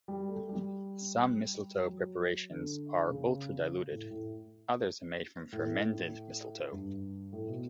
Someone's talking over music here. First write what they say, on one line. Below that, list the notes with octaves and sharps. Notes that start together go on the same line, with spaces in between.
Some mistletoe preparations are ultra-diluted; others are made from fermented mistletoe.
G3
A3
G3
F#3
D3
C#3
A2
A2
A2
G2
A2
B2